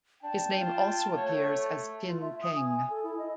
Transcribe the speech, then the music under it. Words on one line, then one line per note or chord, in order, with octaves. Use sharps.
His name also appears as Tin Peng.
D4 G5 A5
F4
A3 C#5
F4
E5
D#6
G#5
G#5
A4
E4
D#5